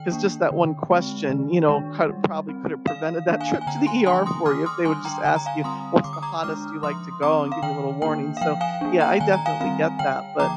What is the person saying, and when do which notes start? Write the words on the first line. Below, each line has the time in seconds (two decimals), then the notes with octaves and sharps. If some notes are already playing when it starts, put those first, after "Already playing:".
'Cause just that one question, you know, could a probably could have prevented that trip to the ER for you, if they woulda just asked you "What's the hottest you like to go?" and give you a little warning, so, yeah, I definitely get that, but
Already playing: D#3 G5
0.11 A#3 D4
0.51 D3
0.91 G#3 C4
1.30 D#3
1.69 G#3 D4
2.09 G3
2.49 C4
2.87 D#3 F5
3.27 A#3 D4
3.40 F5 G#5
3.61 G#5
3.67 D3 G5 A#5
3.87 G#5 C6
4.06 F3 A#3 D4 G#5 C6
4.26 C6 D#6
4.46 D#3 D6 F6
4.66 C6 D#6
4.85 G3 D4 G#5 C6
5.05 G5 A#5
5.25 D3 G#5
5.36 A#5
5.46 F5 G#5
5.64 G3 C4 C6 D#6
6.04 D3 D6
6.13 D#6
6.22 A#5 D6
6.43 G#3 D4 D6 F6
6.83 F3 C6 D#6
7.23 C4 A#5 D6
7.52 F5
7.62 D#3 G5
8.02 A#3 D4 G5
8.37 F5
8.41 F3 G5
8.61 F5 G#5
8.81 A#3 D4
9.00 G5 A#5
9.20 D#3 G#5
9.33 A#5
9.46 F5 G#5
9.61 G3 C4 F5
9.99 D3 G5
10.39 F3 A#3 A#5 D6